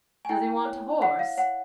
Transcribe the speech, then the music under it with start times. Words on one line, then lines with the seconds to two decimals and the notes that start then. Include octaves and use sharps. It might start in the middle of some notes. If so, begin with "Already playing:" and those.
Does he want a horse?
0.25 G#5
0.29 E4 G5
0.65 C#5
1.01 C#5 F#5
1.19 F5
1.37 C#5 F#5